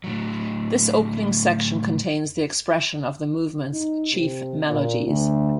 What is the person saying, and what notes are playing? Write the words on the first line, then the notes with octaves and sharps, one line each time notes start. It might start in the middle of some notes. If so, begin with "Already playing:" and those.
This opening section contains the expression of the movement's chief melodies.
A2 F#3
D#4
C3
A#2
D2